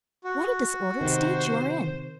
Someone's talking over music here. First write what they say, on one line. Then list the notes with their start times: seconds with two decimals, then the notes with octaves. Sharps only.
What a disordered state you are in!
0.24 F#4
1.01 C3 D#3 C5